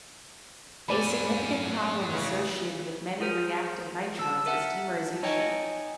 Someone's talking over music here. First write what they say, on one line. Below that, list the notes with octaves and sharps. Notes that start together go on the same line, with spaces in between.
A significant problem associated with many reactive nitrones is dimerization.
A2 F#3 B3 C5 D5 G#5 B5 F#6
C#3 E3
F4 G#4 A#4 C5
A5 E6
A#4 E5 F#5 A5
D#4 C#5 D#5 G5 G#5 C#7